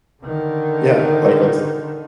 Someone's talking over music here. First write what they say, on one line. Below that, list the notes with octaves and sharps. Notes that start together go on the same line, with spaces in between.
Yeah, likewise.
D3 D#3